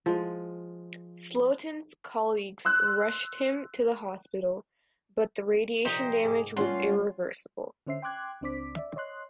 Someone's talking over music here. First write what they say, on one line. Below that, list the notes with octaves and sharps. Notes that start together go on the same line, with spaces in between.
Slotin's colleagues rushed him to the hospital, but the radiation damage was irreversible.
F3 G#3
C6 E6 F#6
A#1 C3 D#4 G4 C5
G#2 G#4 D6
G3 A3 A#3 C#4 F4 C#5 F#5 C6
D3 C#4 C5 E5 C7
G5 C6 D6 F#6 G#6
C#2 C4 D4 C5 D6 B6
D5 E5
C#5 D#5 C6 F#6